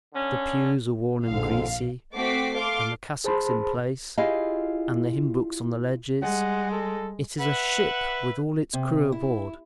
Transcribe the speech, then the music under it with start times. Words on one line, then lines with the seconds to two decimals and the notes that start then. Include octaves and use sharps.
The pews are worn and greasy, and the cassocks in place, and the hymn-books on the ledges. It is a ship with all its crew aboard.
0.13 D3 C#4
1.27 A#1 F2 G#2 D3 F5
2.13 A3 C4 F#4 D6 B6 C7
2.55 A4 F5 C6 D6
3.24 G#4 C5 A5 B5 C6
4.18 E4 F4 G4 G#4 D#5 F5
6.22 G3 G#3 F#5
6.72 A4
7.40 B4 E5 F#5
8.73 C3
9.12 E4